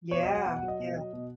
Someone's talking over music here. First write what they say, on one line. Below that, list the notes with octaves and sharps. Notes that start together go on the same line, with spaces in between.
Yeah. Yeah.
B2 C#5
D#5
F#3
F#5
B2 F#5
F#5
F#3
D#5
B2
F#3
B2